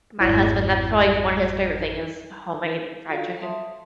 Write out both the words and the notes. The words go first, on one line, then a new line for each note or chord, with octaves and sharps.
my husband, that's probably one of his favorite thing is homemade fried chicken.
G#1 F2 E4 C#5 D5
F4 F#4 A4 F5
E5 A5 C6 D#6